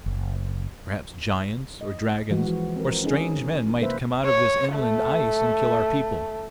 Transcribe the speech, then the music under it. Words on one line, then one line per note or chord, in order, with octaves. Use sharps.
Perhaps giants or dragons or strange men might come out of this inland ice and kill our people.
F#1
D#5
E3 G#3 F#4
F3 F#4
C4 A#4
C#4 D#4 G#4
C3 A#3 B4 C5 E5
C#5
A3